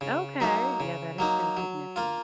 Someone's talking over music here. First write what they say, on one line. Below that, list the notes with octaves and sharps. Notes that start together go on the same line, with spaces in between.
Okay, yeah, that is pretty significant.
C#3
F#3 A#3 D#4
C#3
F#3 A#3 D#4
F#3
A#3 F4